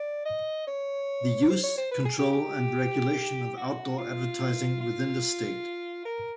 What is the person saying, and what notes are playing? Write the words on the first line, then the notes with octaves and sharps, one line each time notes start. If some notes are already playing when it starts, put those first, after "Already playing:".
The use, control and regulation of outdoor advertising within the state.
Already playing: D5
D#5
C#5
C5
C#5
C5
B4
G#4
G4
G4
F#4
F4
F4
A#4